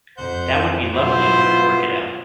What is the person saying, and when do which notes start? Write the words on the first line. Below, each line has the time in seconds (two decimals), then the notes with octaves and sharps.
That would be lovely if we could work it out.
0.17 F2 C5 F#5 G6
0.92 B2 F#3 B3 E4 F4 B4 C5